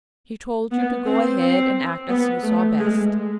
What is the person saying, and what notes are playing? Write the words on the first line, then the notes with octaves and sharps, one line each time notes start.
He told you to go ahead and act as you saw best.
B3
C4
C4
B3
A3
G#3